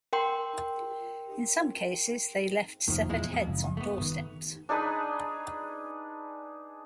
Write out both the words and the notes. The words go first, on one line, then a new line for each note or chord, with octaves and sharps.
In some cases, they left severed heads on doorsteps.
A#4 G5 C6
F1 F2 D#3 F3 A#3
E2 A#2 F3 G#3 E4
F2 G#2
F#1
A3 B3
G1 A#2 D#3
D4 D#4 G#4 B4